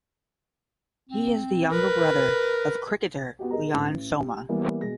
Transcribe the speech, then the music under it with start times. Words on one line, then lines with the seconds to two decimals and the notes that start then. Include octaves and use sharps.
He is the younger brother of cricketer Leon Soma.
1.09 C4
1.71 A#4 B4
3.39 B3 F#4 G4
3.51 G#4 A#4 D#5 A#5
3.73 A1
4.19 G4
4.49 E3 G3 A#3 B3
4.81 B2 G#3 A#6